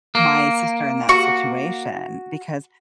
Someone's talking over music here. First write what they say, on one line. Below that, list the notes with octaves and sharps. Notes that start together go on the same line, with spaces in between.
my sister in that situation because
A#3
F#4 C#6